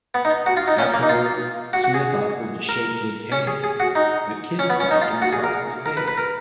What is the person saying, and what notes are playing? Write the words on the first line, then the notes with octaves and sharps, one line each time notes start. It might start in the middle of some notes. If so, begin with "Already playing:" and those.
Afterward, Smith offered to shake Kidd's hand, but Kidd slapped him across the face.
B3
D#4
F#4
F4
D#4
C#4
A#3
D#4
F4
F#4
F#4
G#4
A#4
C#4
G#4
G#4
F#4
D#4
C#4
B3
C#4
D#4
F4
F#4
G#4
A#4
A#4
B4
B4
A#4